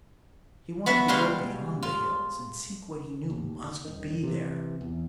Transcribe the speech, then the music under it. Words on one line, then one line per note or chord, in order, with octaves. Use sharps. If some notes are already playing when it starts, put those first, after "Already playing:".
He wanted to go beyond the hills and seek what he knew must be there.
B3 F#4 E5
G3 G#3 F#4 F5 C6
F4
D#2
D#1 D#3
C3 E3
E2